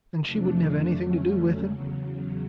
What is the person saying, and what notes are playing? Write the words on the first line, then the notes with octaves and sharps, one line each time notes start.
And she wouldn't have anything to do with him.
F2 C3 F3 A3 D4
F2 D3 F#3 A3 C#4
E2 C#3 F#3